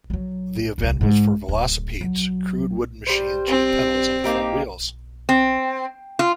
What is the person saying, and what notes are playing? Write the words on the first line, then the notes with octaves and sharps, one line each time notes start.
The event was for velocipedes, crude wooden machines with pedals on the front wheels.
F#3 G3
D#1 C2
G#2 G#3
D1
F#3
G3 C5
C4
A#3 D#4 G4
C4
F4